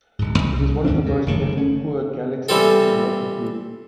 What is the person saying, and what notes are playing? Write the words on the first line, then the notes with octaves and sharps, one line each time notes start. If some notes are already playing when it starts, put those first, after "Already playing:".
It is one of the most metal-poor galaxies in the Local group.
D1 G#2
C2
D#2 G#2 C4 D4
C3
F#1 D#3 A3
C#4
E3 G3 C4 A4